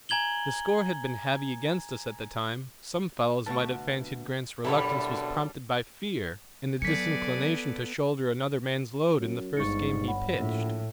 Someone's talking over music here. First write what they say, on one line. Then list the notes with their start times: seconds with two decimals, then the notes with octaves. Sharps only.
If the score had been heavy against us at the time, some fellows might have fancied Grant's reluctance was prompted by fear and a disinclination to shoulder another man's load in the first game he pitched.
0.09 G#5 A#5 G#6 F#7 G7
3.46 D2 B2 A5 C#6
4.64 F#2 B2 D3 G3 C4 E4 A4 B5
6.82 F#3 B3 A4 D5 G#5 B6 C#7
9.20 F#2
9.57 G1 G#2 C#6 A6 C#7
10.07 C#5 F#5 B5
10.38 A#1 A2